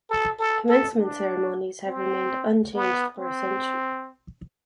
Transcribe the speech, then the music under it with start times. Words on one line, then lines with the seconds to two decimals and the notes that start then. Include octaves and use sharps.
Commencement ceremonies have remained unchanged for a century.
0.10 A4
0.40 A4
0.69 A4
0.99 D4
1.87 C4
2.75 B3
3.18 C4